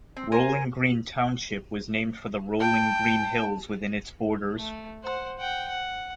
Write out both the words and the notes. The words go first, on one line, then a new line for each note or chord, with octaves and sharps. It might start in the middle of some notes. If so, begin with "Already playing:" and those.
Rolling Green Township was named for the rolling green hills within its borders.
C4
A#4 C5 G#5
G5 A5
A3
C5 F#5
F#5 G5
F#5